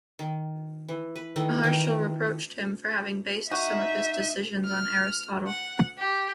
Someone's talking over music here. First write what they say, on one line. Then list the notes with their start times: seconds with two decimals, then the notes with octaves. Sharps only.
Maharshal reproached him for having based some of his decisions on Aristotle.
0.19 D#3
0.89 E3
1.16 B4
1.36 D#3 E3 A3 D#4
1.63 D#3 E3 A#4 G5
1.84 A#5
3.51 D#4 F#4 E5
4.65 F6
5.47 F#5
5.98 G4